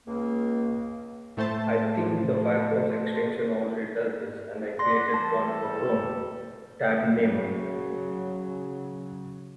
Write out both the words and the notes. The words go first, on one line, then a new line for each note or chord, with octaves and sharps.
I think the Firefox extension already does this, and I created one for Chrome, Tab Namer.
C#2 A#3
A2 A3 C5 A5
D5 F#5 C6 A#6
E3 G3 A4 A5
C#3 F#3